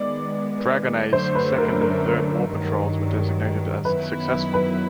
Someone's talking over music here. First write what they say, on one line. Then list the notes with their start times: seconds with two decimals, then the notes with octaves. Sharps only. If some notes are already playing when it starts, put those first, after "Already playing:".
"Dragonet"'s second and third war patrols were designated as "successful".
Already playing: D#3 G#3 B3 D5
1.13 F#2 D3 F#3 A3 C5
1.35 B4
1.58 A#4
1.81 A#4
2.49 G2 D#3 F#3
3.85 F#2 D#3 F#3 B3 E4 B4
4.54 B4